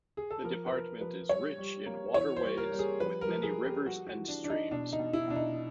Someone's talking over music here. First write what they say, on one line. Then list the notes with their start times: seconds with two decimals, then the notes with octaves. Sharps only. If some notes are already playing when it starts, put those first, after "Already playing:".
The department is rich in waterways, with many rivers and streams.
0.17 G#4
0.30 A4
0.44 F3 A#4
0.66 B4
0.73 F3 A#4
1.01 F3 B4
1.29 G3 C#5
1.58 G3
1.86 A#3
2.14 E3 C#5
2.36 C5
2.44 G3
2.57 A#4
2.72 G3
2.79 G#4
3.00 F3 B4
3.21 A#4
3.28 F3
3.43 G#4
3.57 F3
3.65 G4
3.85 G3 F#4
4.07 F#4
4.14 E3
4.28 D4
4.43 E3 D4
4.50 D#4
4.71 B2 D4
4.93 D#4
4.99 B2
5.13 E4
5.28 B2 D4
5.36 D#4